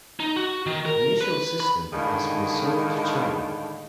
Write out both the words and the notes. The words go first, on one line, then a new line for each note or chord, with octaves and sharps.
The initial system has been sold to China.
D#4
F#4
D#3
A#4
B4
B5
A2 D3 D#3 G#3 A#3 D#4